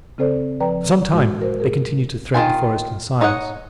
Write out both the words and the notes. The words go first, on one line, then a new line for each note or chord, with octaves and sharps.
For some time they continued to thread the forest in silence.
C#3 C4 A4 C5 D5
F3 B4 D5 G5 A#5
A2 G#3 F#4
F#4 A#4 C5
G#4 A#4
D#3 E4 F4 G#5
D#4 C#5 D#5 F#5